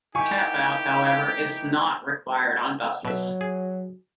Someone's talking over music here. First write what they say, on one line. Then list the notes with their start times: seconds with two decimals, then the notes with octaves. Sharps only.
Tap out however is not required on buses.
0.15 D#3 D#4 E4 G4 G#5 C#6
3.05 B2 F#3 E5
3.41 G#4